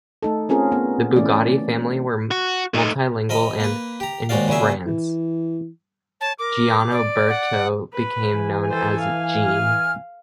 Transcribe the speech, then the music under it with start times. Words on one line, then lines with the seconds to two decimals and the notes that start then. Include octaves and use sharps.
The Bugatti family were multilingual and in France, Gianoberto became known as Jean.
0.23 A3 D#4 A4
0.49 C4 C#4 F4 G#4 A#4
0.72 B3
1.16 E3 A3 C#4 D5
2.31 F#4
2.74 A3 D#4
3.29 F3 A#4 D#5 B5
3.60 A#3 B4
4.00 G4 A#5
4.29 D#2 G#2 G#3 F#4 D5 F5
4.48 A#2 C#3 F#3 G#4 E5
4.86 E3
6.21 C#5 A5
6.39 A#4 D6
6.91 D5
7.30 F#5
7.93 B4
8.32 E3 G#5
8.70 A4 C5
9.00 F5
9.43 F6